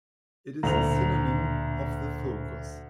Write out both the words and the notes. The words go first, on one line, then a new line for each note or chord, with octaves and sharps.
It is a synonym of the focus.
D2 A#2 D4 A#5 F7